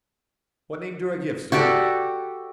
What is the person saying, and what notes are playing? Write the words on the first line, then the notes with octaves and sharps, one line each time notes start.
"What name do I give, sir?"
F#4 G4 A4 D5